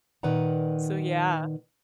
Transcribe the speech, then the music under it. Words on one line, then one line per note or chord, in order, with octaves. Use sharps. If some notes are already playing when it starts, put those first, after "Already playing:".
So, yeah.
A#2 D#3 B4 D5 F#5 A#5